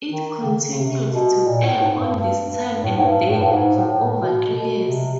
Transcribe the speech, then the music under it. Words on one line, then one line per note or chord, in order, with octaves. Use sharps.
It continued to air on this time and day for over three years.
D#3
C#3
C#3
C3
B2
A#2
A2
G#2
G2
G2
G2
A2
G#2
G2
A2
G2
G#2
A2
A2
B2
B2
C3